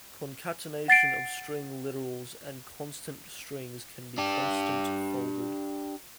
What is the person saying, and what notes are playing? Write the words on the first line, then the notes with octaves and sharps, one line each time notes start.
Concatenation of string literals and constant strings can be constant folded.
F#5 A6 C7 D7
D4 G4